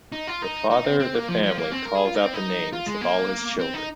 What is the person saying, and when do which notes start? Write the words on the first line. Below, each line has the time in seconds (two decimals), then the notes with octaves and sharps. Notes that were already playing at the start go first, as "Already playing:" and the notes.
The father of the family calls out the names of all his children.
0.12 D#4
0.27 F4
0.42 D#4
0.70 D#4
0.85 C4
0.99 C4
1.14 A#3
1.28 F3
1.43 F3
1.58 A#3
1.72 C4
1.85 A#4
1.95 G#4
2.05 F4
2.15 D#4
2.25 C4
2.34 D#4
2.73 F4
2.86 G#3
3.01 A#3
3.59 C4
3.74 D#4